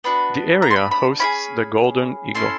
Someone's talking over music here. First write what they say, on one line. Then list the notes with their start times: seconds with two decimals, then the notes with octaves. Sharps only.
The area hosts the golden eagle.
0.04 B3 D4 F#4 B5
0.62 A#5
0.71 C6
0.76 B5
0.91 B5
1.19 C#4 E4 G#4 B5
2.35 C#4 E4 A4 C6